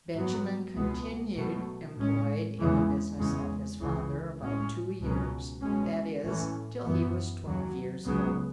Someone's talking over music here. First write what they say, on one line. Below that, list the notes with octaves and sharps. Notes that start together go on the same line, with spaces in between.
Benjamin continued employed in the business of his father about two years, that is, till he was twelve years old.
G#2 F#3 B3
C#2 B2 G#3 B3
B2 F#3 A3
A2 G#3 C#4
E2 C#3 E3 G#3 B3
E2 C#3 G#3 C#4
C#2 C#3 E3
A2 G#3 C#4
C#2 B2 F#3 C#4
B2 G#3 C#4
A2 E3 A3 C#4
F#2 E3 B3
D#2 D#3 F#3
C#2 C#3 F#3 B3